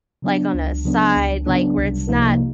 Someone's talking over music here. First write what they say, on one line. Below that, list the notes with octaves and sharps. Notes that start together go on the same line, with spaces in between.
like, on a side like, where it's not
C#3 F#3 B3 D4
C#2
C#3 F#3 B3 D4
C#2
C#3 F#3 B3 D4
C2
C3 F3 A#3 D#4